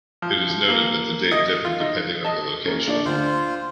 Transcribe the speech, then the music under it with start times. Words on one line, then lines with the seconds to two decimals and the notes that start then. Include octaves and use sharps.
It is noted that the date differed depending on the location.
0.22 F3
0.68 A#3
1.32 D#5
1.65 F4
1.80 D#4
2.25 D#5 A5
2.65 A#3 C#4
2.87 A#1 D4 D5
3.05 D2 D4 F4 C5